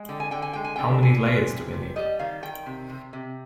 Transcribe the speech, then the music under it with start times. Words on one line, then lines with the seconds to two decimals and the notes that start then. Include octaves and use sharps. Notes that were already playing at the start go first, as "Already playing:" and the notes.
How many layers do we need?
Already playing: G#3
0.09 D3 G5
0.20 G#5
0.31 D3 G5
0.42 G#5
0.53 G#3 G5
0.65 G#5
0.76 D3 G5
1.02 D3 G#5
1.25 G#3
1.49 C3
1.73 C3
1.96 G3 D#5
2.19 D#3 F5
2.43 D#3 G5
2.66 C3
2.89 C3
3.13 C3